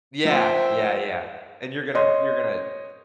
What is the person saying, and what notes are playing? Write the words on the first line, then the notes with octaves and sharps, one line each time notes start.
Yeah, yeah, yeah, and you're gonna you're gonna
F3 C5 E5 G5
C#5 D#5 C6